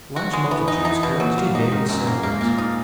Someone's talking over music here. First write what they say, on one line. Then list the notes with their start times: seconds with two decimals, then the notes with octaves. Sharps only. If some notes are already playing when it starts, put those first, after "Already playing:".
Large multitudes collected to hear his sermons.
0.16 F#4
0.33 G#3
0.51 E3 B3
0.68 D#4
0.85 E3 D#4
1.03 B2
1.19 A#2 F#3
1.38 A#3
1.54 G#2 D#4
1.72 G#2 D#3
1.89 F#2 F#3
2.07 A#3
2.23 G#2 A#3
2.41 A#2 A#3
2.58 D#4